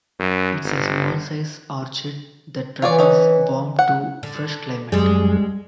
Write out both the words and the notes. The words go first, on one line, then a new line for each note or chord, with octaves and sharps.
It is a small size orchid, that prefers warm to fresh climate.
F#2
G1
E3 F4 C#5 D5
C#4 D#4
F#5
D3
F#2 G3 G#3 G#4